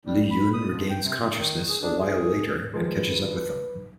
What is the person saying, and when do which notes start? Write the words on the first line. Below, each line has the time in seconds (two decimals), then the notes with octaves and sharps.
Li Yun regains consciousness a while later and catches up with them.
0.06 G3
0.31 B5
0.54 D#6
0.69 F2
0.90 G5
1.03 C3
1.36 D#3
1.68 G#4
1.82 D4
2.00 G#4
2.74 D#3 F3 G#3 B4